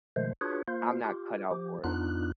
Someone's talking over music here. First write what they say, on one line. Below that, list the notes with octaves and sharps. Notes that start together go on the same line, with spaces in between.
I'm not cut out for it.
B2 D#3 F3 G#3 A3 C5
D4 F4 F#4 G#4 B4 C#5
A#3 F4 C5
F4 G4
F3 G4
F2 B3 D4 D#4 F4 F#6